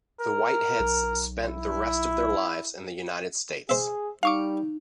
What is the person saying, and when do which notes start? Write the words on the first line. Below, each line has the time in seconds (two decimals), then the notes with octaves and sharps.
The Whiteheads spent the rest of their lives in the United States.
0.21 A#4
0.79 B1
1.45 E4
3.69 G#4 C5 E5
4.23 G3 D#4 F5 C#6 D6